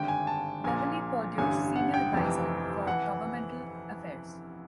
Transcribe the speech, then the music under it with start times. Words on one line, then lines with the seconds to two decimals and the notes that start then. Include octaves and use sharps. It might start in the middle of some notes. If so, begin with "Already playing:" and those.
Beverly Perdue's senior adviser for governmental affairs.
Already playing: G#1 G2 D3 G5
0.08 G#5
0.27 A5
0.64 A#1 A#2 G#5
1.38 A1 G2 D3 G#5
1.76 F#5
1.94 G5
2.12 F1 F2 C3 E3
2.87 E3 F#5